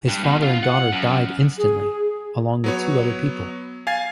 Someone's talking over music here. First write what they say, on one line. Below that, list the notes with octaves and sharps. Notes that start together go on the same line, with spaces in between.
His father and daughter died instantly, along with two other people.
G2
B2
F4
F#5
F#2
G#4
F#3 B3 C#5
F5 G#5 G#6 A6 C7